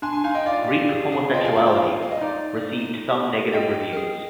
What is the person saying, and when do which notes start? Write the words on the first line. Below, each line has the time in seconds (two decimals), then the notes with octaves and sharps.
"Greek Homosexuality" received some negative reviews.
0.02 D4 G#5 C6
0.13 G#5 C6
0.24 D#4 F5 G#5
0.35 D#5 G5
0.46 F4 D5 F5
0.68 G4
0.90 G#4
1.12 G#4
1.34 F4 D#5 G5
1.44 F5 G#5
1.56 G5 A#5
1.67 C5
2.02 F5
2.11 D#5
2.21 D#4 D5
3.09 G4
3.53 D#5 G5
3.93 A#4
3.97 G#4